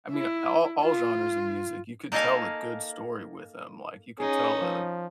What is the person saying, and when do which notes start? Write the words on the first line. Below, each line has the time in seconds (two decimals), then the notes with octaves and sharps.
I mean, all all genres of music, you could tell a good story with them, like, you could tell a
0.12 E4
0.83 F4
2.12 A#3 D#4 A4 D#5 F5 G#5
4.19 C#4 D#4 G#4
4.61 F3